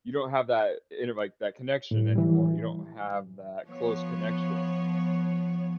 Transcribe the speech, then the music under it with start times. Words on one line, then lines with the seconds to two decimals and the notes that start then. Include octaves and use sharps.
you don't have that, you know, like, that connection anymore, you don't have that close connection.
1.91 A2
2.15 E3 G3
3.67 F3 B3 C#5